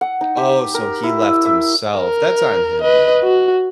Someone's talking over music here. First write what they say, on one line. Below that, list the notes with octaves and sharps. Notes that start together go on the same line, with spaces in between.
Oh, so he left himself, that's on him, then.
F#5
D#4
G4
A#4
E4
E6
E5
A#4
B4 D#5
F#4